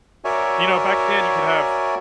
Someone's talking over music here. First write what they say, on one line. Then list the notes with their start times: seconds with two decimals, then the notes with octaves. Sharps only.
You know, back then, you could have
0.25 F#4 A#4 C#5 D5 E5 G#5